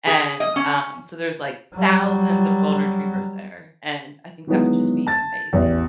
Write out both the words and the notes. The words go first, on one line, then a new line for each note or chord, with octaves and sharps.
And, um, so there's like thousands of golden retrievers there, and I think that would just be amazing.
G#4
D#5
C#4
F#3 G3
D#3 E3 F#3 G#3 B3
A5 A6
A1 E2